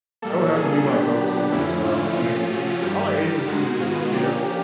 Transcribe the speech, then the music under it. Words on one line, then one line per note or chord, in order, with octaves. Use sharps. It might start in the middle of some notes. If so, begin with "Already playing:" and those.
It would have to be my go-to, which, uh I mean, I like Asian food in general, yeah,
A#2 G3 A#3 A4
G#4
D3 F#3 B3 D4 G4
G4
F2 D3 F3 A3 C#4 E4
F4
C3 F3 A3 C#4 F4
F#4
G2 D#3 G3 G4
G4
G#2 D#3 G#3 F#4
F4
D3 F3 A#3 C#4 G4